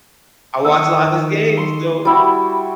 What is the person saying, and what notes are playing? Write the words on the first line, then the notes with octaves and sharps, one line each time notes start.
I watched a lot of his games though.
D#3 C#6 D#6 E6
C6
G3 E4 F#4